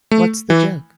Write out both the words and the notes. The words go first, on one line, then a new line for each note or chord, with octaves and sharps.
What's the joke?
A3
E3